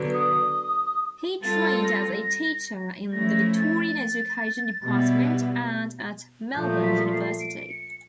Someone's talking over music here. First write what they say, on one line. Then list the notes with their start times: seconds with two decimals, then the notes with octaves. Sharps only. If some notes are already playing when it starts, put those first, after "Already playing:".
He trained as a teacher in the Victorian Education Department and at Melbourne University.
Already playing: D3 F#3 B3
0.14 D#6
1.42 G3 C4 F4 A4 A6
1.84 A#6
3.13 F3 A3 C#4 E4 A#6
3.56 A6
4.83 B2 G3 B3 E4
6.55 A#2 F3 A3 G6
6.83 B6
7.13 C7
7.40 D7
7.70 C#7